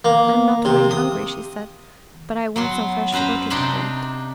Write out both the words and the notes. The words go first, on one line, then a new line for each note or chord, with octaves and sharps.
"I'm not very hungry," she said, "but I want some fresh water to drink."
A#3
C3
D#6
F#3 B3 C6
F#2 B4 C5 A#5 B5
C3 D4 D#4 A5 B5 C6